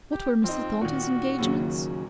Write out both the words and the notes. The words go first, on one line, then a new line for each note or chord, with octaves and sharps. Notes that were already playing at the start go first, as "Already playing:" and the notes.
What were Mr. Thornton's engagements?
G4
F2 C4 D#4
A#2 D#3 F#4
D#2 C#3 F#3